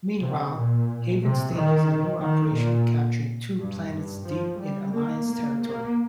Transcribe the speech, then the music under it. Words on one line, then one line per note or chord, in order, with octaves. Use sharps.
Meanwhile, Haven stages a new operation capturing two planets deep in Alliance territory.
C3
A#2
C3
D#3
D#3
A#2
G2
G2
F3
G3
A#3
A#3
A#3